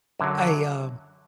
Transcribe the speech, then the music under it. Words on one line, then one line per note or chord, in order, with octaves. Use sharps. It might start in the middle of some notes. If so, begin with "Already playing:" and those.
I, um,
F#2 D3 F#3